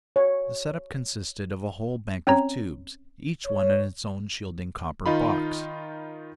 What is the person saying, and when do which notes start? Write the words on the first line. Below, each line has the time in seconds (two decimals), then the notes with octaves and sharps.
The set-up consisted of a whole bank of tubes, each one in its own shielding copper box.
0.16 C#5
2.27 C4 C#4 C#5 A#5
3.46 C#5
5.06 D#3 D#4 F4 B5